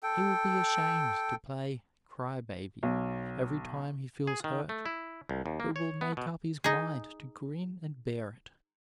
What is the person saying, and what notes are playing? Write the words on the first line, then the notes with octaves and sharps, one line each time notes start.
He will be ashamed to play "cry baby" every time he feels hurt, but will make up his mind to grin and bear it.
A4 G5
B1
G#4
D#3
A3
E4
C2
D#2
A#3
C#5
B3
B2
D#4 G#4